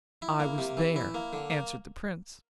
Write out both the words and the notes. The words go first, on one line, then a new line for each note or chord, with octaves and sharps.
'I was there,' answered the prince.
E4
A#3
C3
E3
E4
A#3
D3
A#3